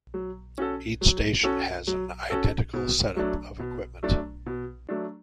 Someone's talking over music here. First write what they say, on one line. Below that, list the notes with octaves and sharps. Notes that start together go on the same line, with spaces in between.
Each station has an identical setup of equipment.
F#3
C#4 F#4 A4
F#3
C#4 F#4 A4
F#3
C#4 F#4 A4
B2
F#3 A3 D4
B2
F#3 A3 D4
B2
F#3 A3 D4